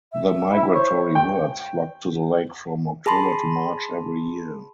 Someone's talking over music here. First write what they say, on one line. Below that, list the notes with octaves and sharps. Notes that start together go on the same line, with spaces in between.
The migratory birds flock to the lake from October to March every year.
E5
E4
C5 C#5
G5
G#4 A5 B5 C6